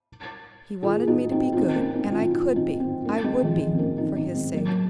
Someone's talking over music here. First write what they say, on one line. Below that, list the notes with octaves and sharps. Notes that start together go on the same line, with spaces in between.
He wanted me to be good, and I could be, I would be, for his sake.
F4 G#4
D#4 F#4
C4 D#4
F4
C4 D#4
A#3 C#4
C4 D#4
C#4 F4
F4
D#4 F#4
C4 D#4
C4 D#4
A#3 C#4
G#3 C4
F3 G#3
D#3
F3
C4
A#3 C#4
C4 D#4
C4 D#4
G#3 C4
F#3 A#3